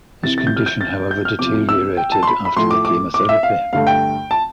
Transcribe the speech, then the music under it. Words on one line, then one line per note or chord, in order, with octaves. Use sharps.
His condition however deteriorated after the chemotherapy.
F2 C3 E3 A6
A6
G6
F6
G6
A6
G6
F6
E2 C3 F3 D6
E6
G5
A5
C6
B5
B5
A2 F3 A3 C6
D6
D6
D6
E5
F5
G2 D3 A3 F5
G5
A5